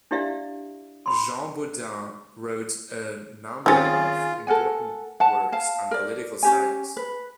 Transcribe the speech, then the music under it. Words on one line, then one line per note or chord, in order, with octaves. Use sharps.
Jean Bodin wrote a number of important works on political science.
D4 E4 G4 D5 E5 F5
B5 C6
D#3 C4 C#4 F4 G#4 A6
A4 A#4 F#5 G#5
F#5 A5
F5 A5
A#4 D5
C#4 G4 G#5
B4